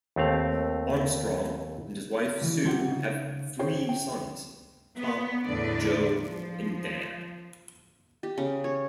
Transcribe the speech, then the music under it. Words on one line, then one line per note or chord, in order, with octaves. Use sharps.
Armstrong and his wife, Sue, have three sons: Tom, Joe, and Dan.
D#2 A3 C4 F5
C#2 E3
D3 C4 F4 G4 F#5
C#3 D#4
G#4 C5 C#5 G5
G5
B3
E2 A2 D3 B4 D5
F3
G4
C#3
C#5